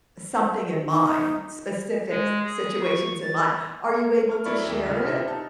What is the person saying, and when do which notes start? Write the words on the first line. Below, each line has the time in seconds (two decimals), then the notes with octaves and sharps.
something in mind, specific s situations in mind. Are you able to share it?
0.90 D#4
2.10 G#3
2.44 G#4
2.83 C#6
3.22 A6
4.31 F6
4.45 F#3 E4 D5 B5 C#6
4.65 D#2 E5
4.86 A#2 C#3 F6
5.05 C3 E5
5.27 D#4 A5